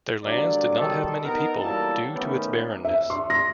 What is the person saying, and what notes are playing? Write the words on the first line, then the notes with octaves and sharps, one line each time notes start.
Their lands did not have many people due to its barrenness.
D3 F#3 G3 A#3 D5
B2 D#3 G3 D#4 A4
B3 D#4 A#4
E3 F#3 G3 A#3 A4 A5
D#3 A3 B3 C#4 G4 A#4
E5
C6
A#6